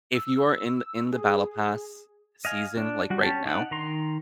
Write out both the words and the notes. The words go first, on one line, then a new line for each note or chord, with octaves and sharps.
If you are in th in the BattlePass season, like, right now,
E6
G#4
D#5 F5 G#5
D4
G3 F#4
C#4 G4 A5
D4 D#4 D5 F#5
D#3 A#5 C6